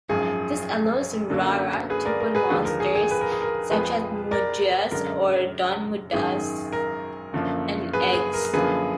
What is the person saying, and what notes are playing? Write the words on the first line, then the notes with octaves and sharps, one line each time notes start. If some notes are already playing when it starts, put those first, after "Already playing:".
This allows "Rara" to put monsters such as Medusas or Don Medusas in eggs.
G#1 F#2 F3 G#4
F#2 D3 F#3 A#3
G#4 B4
A#4 D5
A#4
G#4 B4
D#2 D3 F3 G#3 G#4 B4
A#4
G#4
G#4
B4
A#4
G#4
A#4
F2 F3 G#3 G#4 B4
A#4 D5
F#2 D3 G#3 A#4
G#1 F#2 D#3 G#4
A#4
F#1 F#2 D3 F3 A#3
G#4 B4
G#4
A#4
F#2 D3 F3 A#3 G#4 B4